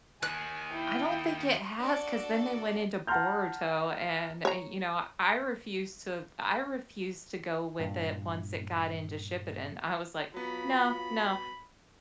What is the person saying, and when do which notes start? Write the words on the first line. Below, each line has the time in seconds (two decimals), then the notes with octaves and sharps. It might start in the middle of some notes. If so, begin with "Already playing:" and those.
I don't think it has, 'cause then they went into Boruto, and, eh, you know, I refused to I refused to go with it once it got into Shippuden, I was like, "No, no."
0.23 D#2 D#3 G#5 F#6
0.73 E4 G5
1.79 D4 F#4 A4 D5
3.07 F#5 A5 A#5 C6 F6 G6
4.45 C#5 A#5
7.80 G2 A#2
10.34 F#3 B3 F4 B5